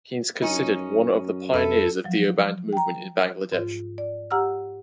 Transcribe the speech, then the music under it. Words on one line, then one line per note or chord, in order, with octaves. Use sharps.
He is considered one of the pioneers of Deoband movement in Bangladesh.
F#2 C#4 D#4
F2 A4 B4 E5
F3 F#3
G5 A#5
G#2 F4
D5
G4 F#5 A#5 E6 F6